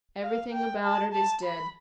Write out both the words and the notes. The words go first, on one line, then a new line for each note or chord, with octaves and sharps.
Everything about it is dead.
F5
G5
A5
A5
B5